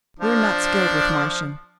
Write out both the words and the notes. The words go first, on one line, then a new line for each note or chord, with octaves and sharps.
"We are not skilled with Martian."
F3 D4